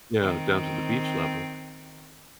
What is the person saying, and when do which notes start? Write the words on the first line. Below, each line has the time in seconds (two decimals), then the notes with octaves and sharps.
you know, down to the beach level,
0.21 D#3 C4